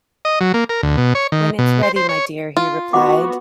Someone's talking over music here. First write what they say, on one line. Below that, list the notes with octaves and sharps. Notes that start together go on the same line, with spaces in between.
"When it's ready, my dear," he replied.
D#5
F#3
A#3
A#4
D2
B2
C#5
D#3
B2
C5
C5
C#5
F4
B3 F#4 F#5 D6